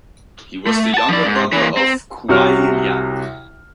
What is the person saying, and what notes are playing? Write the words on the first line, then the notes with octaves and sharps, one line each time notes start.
He was the younger brother of Kuai Liang.
A3
F#5 A5
F3 D5
G#2
E3 A#3
C4
C2 C3 F#4 C#5 F6